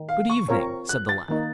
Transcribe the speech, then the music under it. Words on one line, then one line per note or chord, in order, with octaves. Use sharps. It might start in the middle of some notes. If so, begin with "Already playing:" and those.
'Good evening!' said the lad.
Already playing: D#3
F5
C#6
C4 F4 A#4 C#5
F#6
A6
D#3 A#3 D#4